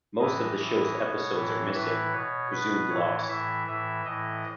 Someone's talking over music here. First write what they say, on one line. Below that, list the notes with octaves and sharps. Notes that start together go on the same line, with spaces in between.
Most of the show's episodes are missing, presumed lost.
A2 E3 D#5
A2 E3
B2 C#5
A2 E3 C#5
A2 E3 B4
B2 C#5
B2 B4
A2 E3 C#5
A2 E3 E5
A2 E3 E5
A2 E3 D#5